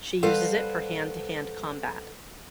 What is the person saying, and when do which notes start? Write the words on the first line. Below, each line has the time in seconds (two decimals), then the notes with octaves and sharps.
She uses it for hand-to-hand combat.
0.23 G3 A4 B4 C5 F5 F#5